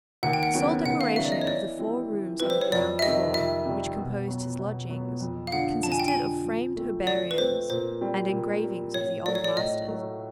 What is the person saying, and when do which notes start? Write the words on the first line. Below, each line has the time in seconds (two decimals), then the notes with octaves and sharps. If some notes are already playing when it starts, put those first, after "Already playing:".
The sole decoration of the four rooms on the ground floor, which composed his lodgings, consisted of framed herbariums, and engravings of the old masters.
0.23 D#2 F#5
0.33 G5
0.43 F#5
0.54 C#3 F#3 B3 G5
0.85 D#2 F#5
1.01 F5
1.16 C#3 F#3 B3 E5
1.25 D5
1.32 D#5
1.41 C#5
1.47 E3 D5
1.79 G3 C4 E4
2.09 E3
2.40 G3 C4 E4 B4
2.50 C5
2.61 C#5
2.72 F2 D5
2.99 E5
3.02 C3 D#3 G3 D#5
3.34 F2 E5
3.65 C3 D#3 G3
3.96 B2
4.27 F#3 B3
4.59 B2
4.90 F#3 B3
5.21 F2
5.47 F5
5.52 D3 F3 F#5
5.83 F2 A5
5.92 G#5
6.00 G5
6.08 G#5
6.14 D3 F3
6.46 F3
6.76 A3 C4
7.07 F3 D5
7.31 B4
7.38 A3 C4 C5
7.70 A#2 C5
8.01 G3 C4
8.32 A#2
8.64 G3 C4
8.94 A2 C#5
9.25 F#3 A3 D5
9.35 C#5
9.44 D5
9.56 A2 D#5
9.88 F#3 A3